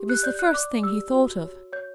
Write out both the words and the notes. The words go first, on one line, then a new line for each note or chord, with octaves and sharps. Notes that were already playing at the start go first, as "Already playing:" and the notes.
It was the first thing he thought of.
Already playing: G4
F#6
D5 G6
F#6
D5 D6
G4 E6
F#4
C#5
C#5 G6